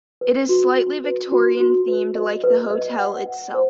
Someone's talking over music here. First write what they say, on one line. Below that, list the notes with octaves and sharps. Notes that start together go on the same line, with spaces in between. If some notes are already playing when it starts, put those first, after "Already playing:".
It is slightly Victorian themed, like the hotel itself.
B4
F#4
F#4
B4
F#4
F#4
B4
D#5
B4
D#5
F#5
F#5
C5